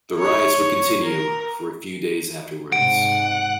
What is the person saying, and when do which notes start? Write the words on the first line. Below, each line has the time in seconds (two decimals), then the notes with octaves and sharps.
The riots would continue for a few days afterwards.
0.19 C#5
1.04 A#4
2.72 G#2 C3 G#3 F#5 D7